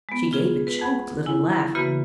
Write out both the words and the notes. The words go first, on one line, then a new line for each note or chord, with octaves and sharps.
She gave a choked little laugh.
G#3 B3
F4 G#4
B4
F2 F#5 B5
E4 G#5
C#3 E3 A#3 F#4 B4 B5